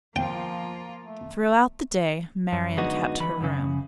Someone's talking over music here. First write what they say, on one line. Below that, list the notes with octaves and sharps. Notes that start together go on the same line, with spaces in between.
Throughout the day Marian kept her room.
F3 A#3 F4 G5
A3
F#2
D3 G#3 B3 D#4 F#4
E3 B5
F#2 A#2 C#3